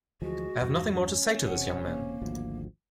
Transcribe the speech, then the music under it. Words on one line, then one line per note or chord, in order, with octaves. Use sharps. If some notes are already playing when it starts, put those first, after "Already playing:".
I have nothing more to say to this young man!
D2 E3 F3 G#3 F#4
E2 G2 D#3
C#4
E1 C3 F#5
A#3
G#1 D2 F3